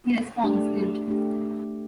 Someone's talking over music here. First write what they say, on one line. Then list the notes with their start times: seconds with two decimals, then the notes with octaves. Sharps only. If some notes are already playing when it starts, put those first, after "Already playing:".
He responds Didn't.
0.43 A3 D4 G4
1.08 A3 D4 G4